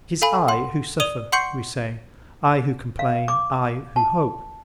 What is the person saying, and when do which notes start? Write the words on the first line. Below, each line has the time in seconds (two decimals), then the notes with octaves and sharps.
It is I who suffer, we say, I who complain, I who hope.
0.22 A4 F5 G#5 B5
0.48 F#5 C6
1.00 D5 D#6 D#7 F7 G7
1.32 F#5 C6 C#6 G6 C7 C#7
2.99 F5
3.28 D6
3.96 A5